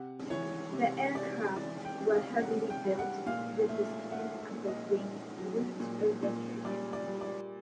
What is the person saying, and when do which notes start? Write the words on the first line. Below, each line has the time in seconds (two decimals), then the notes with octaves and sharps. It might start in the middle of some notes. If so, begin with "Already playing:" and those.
The aircraft were heavily built, with the skin at the wing roots over thick.
Already playing: C3 F#5
0.30 E3 C#5
0.73 C3
1.14 C3 D5
1.56 E3 D5
1.85 G5
2.00 C3
2.14 F5
2.41 C3 F#5
2.70 G5
2.84 G3
2.99 F#5
3.26 A#2 F5
3.69 A3
4.11 A3 F#5
4.39 E5
4.53 A#2
4.67 D#5
4.95 A#2
5.38 F#3
5.80 A#2
6.23 A#2
6.65 G3 D5
6.93 D5
7.08 G3
7.21 D5